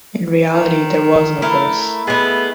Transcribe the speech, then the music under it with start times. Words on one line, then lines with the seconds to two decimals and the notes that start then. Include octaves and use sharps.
In reality there was no curse.
0.53 D#3
1.42 A3 E4 A#4
2.07 G#3 A3 B3